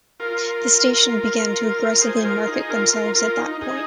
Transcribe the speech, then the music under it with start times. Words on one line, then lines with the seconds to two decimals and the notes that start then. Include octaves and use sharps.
The station began to aggressively market themselves at that point.
0.20 F4 A#4
2.02 G#4 C5
2.25 F4 A#4
2.47 D#4 G#4
2.70 F4 A#4
2.93 F4 A#4
3.15 F4 A#4
3.38 D#4
3.61 D#4 G#4